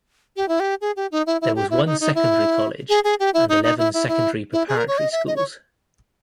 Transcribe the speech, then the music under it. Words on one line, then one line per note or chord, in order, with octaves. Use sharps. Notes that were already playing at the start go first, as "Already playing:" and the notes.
There was one secondary college and eleven secondary preparatory schools.
G4
E4
G4
G#4
G4
D#4
E4
E4
G4
E4
D#4
D#4
E4
G#4
G#4
G4
E4
D#4
D#4
E4
E4
E4
E4
G#4
A#4
C#5
D#5
E5
D#5
C#5